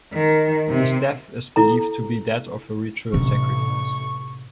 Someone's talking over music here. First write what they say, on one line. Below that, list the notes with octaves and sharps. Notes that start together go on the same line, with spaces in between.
His death is believed to be that of a ritual sacrifice.
D#3
C3
E4 A4 A#5
A1 C3 D4 C#6